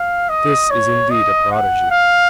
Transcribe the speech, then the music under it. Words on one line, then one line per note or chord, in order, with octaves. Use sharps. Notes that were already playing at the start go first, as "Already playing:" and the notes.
This is indeed a prodigy.
Already playing: F5
D#5
C#5
D#5
F#5
F5